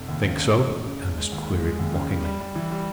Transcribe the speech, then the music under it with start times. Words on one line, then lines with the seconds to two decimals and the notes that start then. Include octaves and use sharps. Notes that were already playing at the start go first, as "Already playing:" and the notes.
"Think so?" Ernest queried mockingly.
Already playing: F1
0.08 D#2
0.25 C#3
0.40 F#1
0.55 E3
0.71 F#1
0.86 C#3
1.01 F#1
1.17 G#3
1.32 D#2
1.48 G#3
1.63 G#3
1.79 D#2
1.94 C#3
2.10 G3
2.24 G3
2.40 G3
2.55 E3
2.71 G3